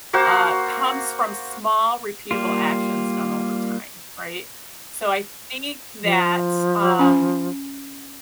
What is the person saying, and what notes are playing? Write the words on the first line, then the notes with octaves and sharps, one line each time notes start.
uh, comes from small repeatable actions done over time, right? So I think that, um,
A#3 F#4 C5 F5
G3 A#3 F4
F3
C#4 G#5